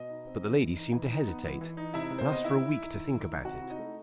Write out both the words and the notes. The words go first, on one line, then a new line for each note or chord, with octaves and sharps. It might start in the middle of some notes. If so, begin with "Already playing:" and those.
But the lady seemed to hesitate, and asked for a week to think about it.
Already playing: B2 D#5
D#4
C4
E3
E3
D#4
E3
D#4
B3
E3
E3
D#4
C3 E4 E5
C3
C5
B3 D#5
D#3 E4 E5
D#3
D#4
D#3
D#3
D#4
C3 F#4 F#5
E4
D#4 D#5
A3